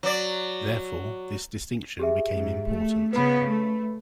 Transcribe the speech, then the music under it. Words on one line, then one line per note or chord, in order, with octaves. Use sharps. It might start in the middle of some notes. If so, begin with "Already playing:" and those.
Therefore, this distinction became important.
F#3 D5
G4 G#4 E5
G#2
A3
C#3 B3 B4 B5
A3